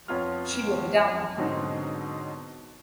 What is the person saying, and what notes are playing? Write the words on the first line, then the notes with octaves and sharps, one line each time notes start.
She'll be down.
F2 B3 F4 C#5 F6
G#2 B2 D3 F#3 C4 D#4